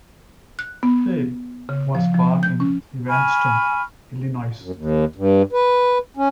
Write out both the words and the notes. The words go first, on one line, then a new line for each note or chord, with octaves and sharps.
Hale was born in Evanston, Illinois.
F#6
B3
C#3
F3
F3
G6
C#4
G#5 B5 C#6 F6
F#2
D#2
G2
B4
C#4